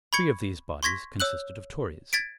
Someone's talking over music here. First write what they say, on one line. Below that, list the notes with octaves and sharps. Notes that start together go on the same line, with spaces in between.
Three of these bodies consisted of Tories.
B5 C#6 G#6 C#7
C6 C#6 G#6 A#6 B6
C#5 E6 F#6 F#7
G#6 A6 B6 D7